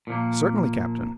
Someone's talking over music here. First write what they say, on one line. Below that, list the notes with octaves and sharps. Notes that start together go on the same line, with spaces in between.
"Certainly, captain."
A#2 F3 A#3